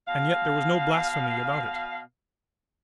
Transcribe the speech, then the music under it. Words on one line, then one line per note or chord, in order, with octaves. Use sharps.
And yet there was no blasphemy about it.
B2 F5